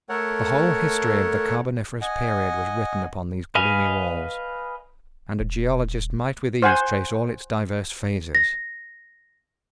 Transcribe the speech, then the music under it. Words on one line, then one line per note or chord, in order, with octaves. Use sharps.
The whole history of the carboniferous period was written upon these gloomy walls, and a geologist might with ease trace all its diverse phases.
A3 A4 A#4 C#5 F#5
D#5 F#5 G#5
B4 D#5 F5 G#5
D#1
C5 F#5 G#5
A#6